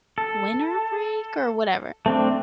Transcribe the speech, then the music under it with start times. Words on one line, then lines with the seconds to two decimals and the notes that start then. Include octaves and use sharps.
winter break or whatever.
0.18 A4
2.06 A3 C4 D4